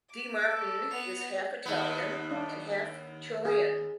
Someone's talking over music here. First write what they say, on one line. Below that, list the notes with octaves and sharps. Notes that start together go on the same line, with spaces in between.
De Martin is half Italian and half Chilean.
D6
A4
B3 F7
D#2 B3
D4
G#4